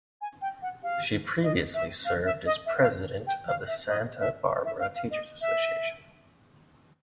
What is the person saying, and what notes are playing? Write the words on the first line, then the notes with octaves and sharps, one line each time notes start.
She previously served as President of the Santa Barbara Teachers Association.
G#5
G5
F#5
F5
D#5
E5
F5
E5
D#5
E5
F5
G5
F5
E5
D#5
E5
E5
F5
F5
D#5
E5